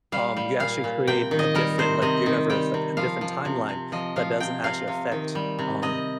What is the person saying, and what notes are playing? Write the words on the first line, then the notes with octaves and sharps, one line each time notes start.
um, you actually create a different, like, universe, like, a different timeline that doesn't actually affect, um,
G3 F5
G3
A#2 F5
A#2
C3 G5
D#3
D#5
G3 A#4
C3 C5
C3 D#5
D#3
G3 G5
C3
F3 F5
F3
C3
C3
F3 D#5
F3 F5
C3 G5
C3 F5
C3
D#3
G3
C3
C3 D#5